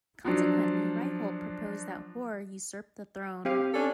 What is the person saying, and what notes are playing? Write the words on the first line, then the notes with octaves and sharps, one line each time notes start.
Consequently, Ryholt proposed that Hor usurped the throne.
F3 F#3 D4
C4 G4 F5
C#4 D4 A4